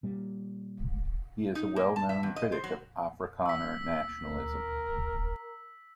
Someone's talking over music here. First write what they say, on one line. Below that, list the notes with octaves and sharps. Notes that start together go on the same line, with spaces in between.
He is a well-known critic of Afrikaner nationalism.
A#2 G3
D#4
A#3
A5
E5
E2
D#5
C5
F#3
E6 B6
A#4